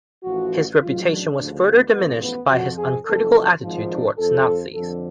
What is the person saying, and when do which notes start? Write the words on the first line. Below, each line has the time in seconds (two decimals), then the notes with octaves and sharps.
His reputation was further diminished by his uncritical attitude toward the Nazis.
0.23 A1 A2 F3 F#4
0.79 A1 G#2 F#3 F4
1.08 D4
1.37 D2 C#3 F3
1.64 B3
1.92 A1 G#2 F3 B3
2.21 B3
2.48 F2 F3 F#4
2.77 G#4
3.05 F#1 F2 F3 A4
3.61 G#1 G#2 F3
3.89 D4
4.17 F2 F3 A4
4.74 F2 D3 F3 A4